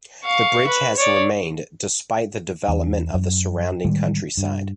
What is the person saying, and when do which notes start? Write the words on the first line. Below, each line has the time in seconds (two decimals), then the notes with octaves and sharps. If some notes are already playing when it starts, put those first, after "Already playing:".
The bridge has remained despite the development of the surrounding countryside.
0.25 F5 C#6
0.67 B4
0.97 C#5 D5
2.68 E2
3.14 F#2
3.85 A2 D#3 G3 G#3
4.37 G2